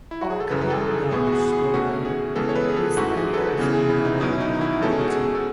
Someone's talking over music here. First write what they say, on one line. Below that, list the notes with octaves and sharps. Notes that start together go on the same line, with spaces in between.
Arkhangelskoye is the nearest rural locality.
E4
F#4
G#4
A4
F#2 C#3 E3 B4
B4
A4
A4
G#4
A2 E3 B3 G#4
F#4
G#4
G#4
B2 A3 C#4 F#4
G#4
C#3 E3 G#3 B3 A4
C#5
B4
G#4
A4
G#2 E3 A3 C#4 F#4
G#4
A4
B4
C#3 E3 B3
G#4
E4
D#4
E2 B2 F#3 C#4 E4
E4
D#4
E4
E2 B2 G#3 C#4 A4
G#4
F#4
G#4
A4